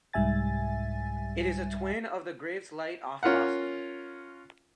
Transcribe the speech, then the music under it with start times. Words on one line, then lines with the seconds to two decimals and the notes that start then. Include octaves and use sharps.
It is a twin of the Graves Light off Boston.
0.13 C2 G#2 G3 E5 G#5 A6
3.23 C#4 F4 A#4 F5 F#5